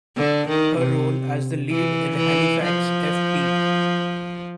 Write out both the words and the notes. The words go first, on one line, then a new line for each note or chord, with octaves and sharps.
Her role as the lead in Halifax f.p.
D3
D#3
C3
E3
E3
F3